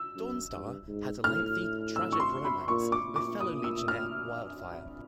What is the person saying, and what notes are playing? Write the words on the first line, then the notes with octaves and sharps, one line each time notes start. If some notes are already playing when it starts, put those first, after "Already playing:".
Dawnstar had a lengthy, tragic romance with fellow Legionnaire Wildfire.
Already playing: E6
F#2
G2
G#2
A2 F6
E6
C#6
C6
B5
A#2 C#6
D6
A#2
D6
D#6
E6
F6